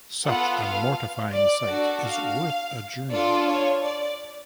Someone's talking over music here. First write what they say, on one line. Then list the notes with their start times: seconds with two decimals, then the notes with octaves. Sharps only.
Such a mortifying sight is worth a journey.
0.24 B3 F4 A4 F#5
0.60 F5
1.32 D5
1.67 D4 F#4 A4
2.03 F5
3.10 D4 F4 A4 D5
3.46 C#5
3.83 D5